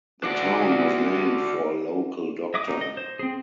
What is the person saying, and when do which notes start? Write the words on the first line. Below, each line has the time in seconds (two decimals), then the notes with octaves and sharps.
The town was named for a local doctor.
0.24 D4 F#4 D5
2.54 D#5 E5 D6 D#6
2.68 D#4
2.81 D#5
2.97 C5
3.19 C4 G#4